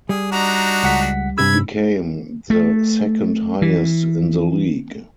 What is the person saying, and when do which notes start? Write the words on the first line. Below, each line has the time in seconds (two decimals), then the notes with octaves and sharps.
It became the second highest in the league.
0.09 G3 G#4
0.32 D4 D#4 F#4 A#5
0.83 C#2 F#5 B6
1.38 G2 C3 B5 E6 G#6
2.50 A3
3.62 E3